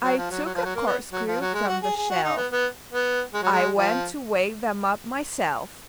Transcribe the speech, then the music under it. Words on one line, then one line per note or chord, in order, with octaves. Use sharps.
I took a corkscrew from the shelf: I went to wake them up myself.
F#3
F3
F#3
F#3
F3
F#3
A#3
B3
F#3
F3
F#3
G#3
F#4
G#4
G#4
F#4
D#4
B3
B3
B3
G#3
F#3
G#3
F3